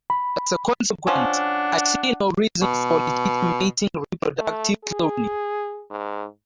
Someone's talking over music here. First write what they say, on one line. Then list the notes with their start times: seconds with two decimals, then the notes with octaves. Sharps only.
As a consequence, I see no reason for legitimating reproductive cloning.
0.10 B5
1.07 F3 C#4 D4 F#5
2.62 B2
4.41 A3
4.84 G#4
5.90 G#2